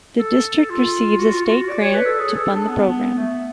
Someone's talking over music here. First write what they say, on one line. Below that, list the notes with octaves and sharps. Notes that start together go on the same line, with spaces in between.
The District receives a state grant to fund the program.
A4
F4
F#4
F4
F#4
D5
C#5
B4
A4
G#4
A4
D4
B3
A3